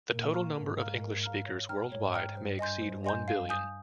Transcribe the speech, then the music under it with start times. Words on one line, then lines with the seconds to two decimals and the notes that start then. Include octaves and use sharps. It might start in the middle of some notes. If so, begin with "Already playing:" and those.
The total number of English speakers worldwide may exceed one billion.
0.10 A#2 A#4
0.33 F5 A#5 C#6 F6
0.56 G#2 A#4
0.79 F5 A#5 F6
1.02 A#4
1.23 F5 A#5 F6
1.46 C#5
1.69 G5 A#5 F6
1.91 G#2 C#5
2.14 G5 A#5 F6
2.36 G2 C5
2.59 D#5 G#5 C6 G6
2.82 G2 C5
3.04 D#5 G#5 C6 G6
3.28 F5
3.49 G#5 D#6 G6